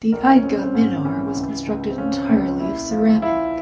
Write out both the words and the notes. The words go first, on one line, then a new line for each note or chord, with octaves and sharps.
The Eidgah Minar was constructed entirely of ceramic.
A#1 A#4
C#4
A#1 C4
C4
G#2 C#4
E3 C#4
C#2
C#2
C4
F3 C#4
C#2
A#1 E4
F3
F3 E4